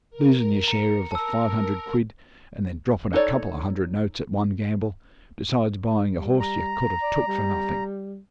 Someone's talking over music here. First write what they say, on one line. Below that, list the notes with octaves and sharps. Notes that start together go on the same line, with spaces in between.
Losin' yer share of the five hundred quid, and then dropping a couple of hundred notes at one gamble, besides buying a horse yer could have took for nothing.
A#4
A#5 C#7
A#4 A5 E6
D#4 A4 A#4 C#5 D5
G3
A#5
D5
G3